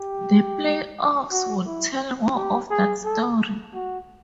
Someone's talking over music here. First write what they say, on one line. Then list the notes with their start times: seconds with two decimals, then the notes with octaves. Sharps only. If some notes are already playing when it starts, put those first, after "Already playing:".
The playoffs would tell more of that story.
Already playing: G4
1.32 F#4
1.66 E4
2.36 G4
2.70 G#4
3.05 A4
3.74 F#4